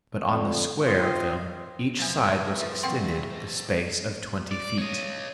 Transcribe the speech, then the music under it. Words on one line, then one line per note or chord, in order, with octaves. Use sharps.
But on the square of them, each side was extended the space of twenty feet.
F2 D3
C4 F4 C5 D#5 F5
E2 F3 F#3 E4 C5 D#5
G#3 A3 A#4 B4
F3 A3 E5 A6
A#2 E3 F#3 C4 F#5 G5 C6
B6
C5 D#5
D5
C#5 D#5